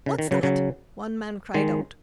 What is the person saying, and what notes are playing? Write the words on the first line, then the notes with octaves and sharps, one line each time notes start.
"What's that?" one man cried out.
C#3
D#3
C#3 F#3
C#3 F#3
D#3 G#3